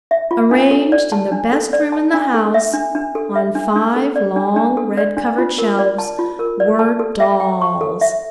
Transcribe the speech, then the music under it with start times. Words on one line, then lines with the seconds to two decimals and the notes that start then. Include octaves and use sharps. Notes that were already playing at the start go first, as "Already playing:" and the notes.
Arranged in the best room in the house, on five long red-covered shelves, were dolls.
0.11 E5
0.31 F4
0.51 D4
0.71 A4
0.92 D5
1.12 A5
1.32 D4
1.53 A4
1.73 D5
1.92 A5
2.14 D4
2.34 A4
2.54 E5
2.74 D4
2.95 D4
3.15 A4
3.36 E5
3.55 D4
3.76 D4
3.96 A4
4.16 D5
4.36 D4
4.56 D4
4.77 A4
4.97 D5
5.17 D4
5.38 F4
5.58 A#4
5.79 D5
5.98 A5
6.19 F4
6.39 A#4
6.60 D5
6.79 A5
6.99 A4
7.20 E5
7.40 G5
7.61 C#6
7.81 A4
8.01 E5